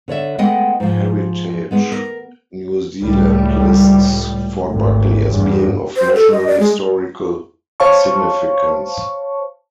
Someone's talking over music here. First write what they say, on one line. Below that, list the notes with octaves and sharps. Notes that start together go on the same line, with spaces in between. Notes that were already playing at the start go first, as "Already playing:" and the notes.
Heritage New Zealand lists Fort Buckley as being of national historical significance.
D3 C#5 D5 E5
G#3 A3 B3 D#5 F#5 G5
G#2 F3
G#3 B3 D#4
A#4
C#2 A2 G3
G#1 D2
E2 G2
C5
A4
D#5
D5
G#3
C5 C#5 F5 A5 C#6